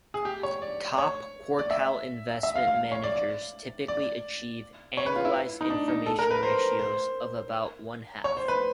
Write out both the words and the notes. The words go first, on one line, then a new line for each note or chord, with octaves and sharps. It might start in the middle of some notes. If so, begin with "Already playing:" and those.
Top-quartile investment managers typically achieve annualized information ratios of about one-half.
G#4
G4
C#5
D5
C#5
D5
E5
E5
F5
F5
C#5
D5
D5
D5
C#5
B4
F4
E4
D#4
D4
D#4
A4
A#4
B4
C5
C5
C#5
C5
B4